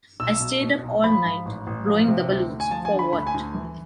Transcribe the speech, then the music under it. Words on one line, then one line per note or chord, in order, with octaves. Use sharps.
I stayed up all night, blowing the balloons. For what?
B1 E6
B2
B2
B1
F3 B5
G#2
A1
A1
F3
C3
D2
D2
G#5
F3 A5
G#5
D3
B5
D2 B5
G#5
D2
E3